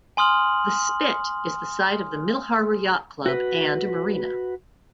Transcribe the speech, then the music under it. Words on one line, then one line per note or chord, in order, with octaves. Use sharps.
The Spit is the site of the Middle Harbour Yacht Club and a marina.
G#5 C6 D#6 F6 F#7
F#4 B4